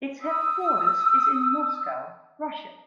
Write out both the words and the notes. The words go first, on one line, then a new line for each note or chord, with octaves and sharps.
Its headquarters is in Moscow, Russia.
D#6 E6